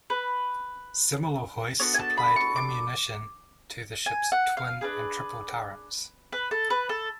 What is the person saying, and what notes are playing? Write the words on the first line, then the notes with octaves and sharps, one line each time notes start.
Similar hoists supplied ammunition to the ships' twin and triple turrets.
B4
B3 D4 F#4 A4 C#5
G#5
A5
B5
C#6
D6
G#5
F#5
F5
D4 G#4 B4
B4
A4
B4
A4